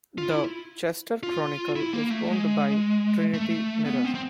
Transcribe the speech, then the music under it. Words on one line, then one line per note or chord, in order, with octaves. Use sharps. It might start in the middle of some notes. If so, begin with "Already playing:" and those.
The "Chester Chronicle" is owned by Trinity Mirror.
F4
E4
F4
E4
A#3
A3
G#3
A3
B3
C4
C4